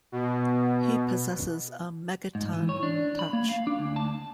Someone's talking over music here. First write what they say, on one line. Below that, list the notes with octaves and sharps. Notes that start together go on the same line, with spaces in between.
He possesses a Megaton Touch.
B2
G#2
E3
C#5
D4
B5
A#3
F5
D4
D2
A5